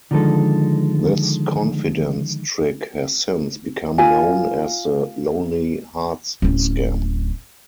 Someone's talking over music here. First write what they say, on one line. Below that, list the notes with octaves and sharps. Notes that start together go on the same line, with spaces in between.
This confidence trick has since become known as the "Lonely Hearts Scam".
D3 D#3 F3 G#3 A4
F4 G#5
D1 C#4